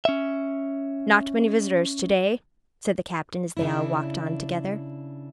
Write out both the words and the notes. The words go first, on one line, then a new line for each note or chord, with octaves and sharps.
"Not many visitors to-day," said the Captain, as they all walked on together.
C#4 E5
C#3 D4 E4